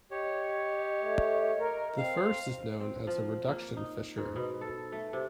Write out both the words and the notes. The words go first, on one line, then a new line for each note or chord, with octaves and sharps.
The first is known as a reduction fishery.
G4 C#5 D#5
A3
A#4
C4 F5
C4
F3
A#3
D#4
G#2
B2
A4
A3
C3